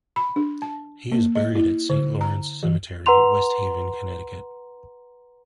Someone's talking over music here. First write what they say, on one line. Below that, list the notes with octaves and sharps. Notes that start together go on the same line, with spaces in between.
He is buried at Saint Lawrence Cemetery, West Haven, Connecticut.
B5
D4
A5
A#3
D#5
E4
D3
A#5
E3
B4 F#5 A#5 C6 F7